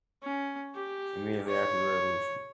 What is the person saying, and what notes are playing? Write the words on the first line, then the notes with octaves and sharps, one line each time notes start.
Immediately after the Revolution.
C#4
G4
C#5